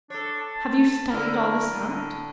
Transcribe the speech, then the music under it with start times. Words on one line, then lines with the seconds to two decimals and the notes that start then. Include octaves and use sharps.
"Have you studied all this out?"
0.10 D4 A4 C#5
0.40 A5
1.11 D3 E4 A#4 D5
1.70 A2 D3